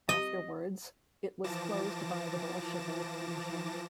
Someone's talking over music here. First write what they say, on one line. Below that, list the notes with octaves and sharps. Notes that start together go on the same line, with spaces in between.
Afterwards, it was closed by the Bolshevik regime.
D#5
E3 F3 A5 D6 A#6 E7